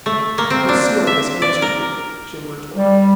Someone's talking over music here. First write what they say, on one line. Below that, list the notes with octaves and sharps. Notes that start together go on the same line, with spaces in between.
"Lucille has answered you," Jim retorted.
A3
A#3
C4
D4
E5
D5
A#4
G3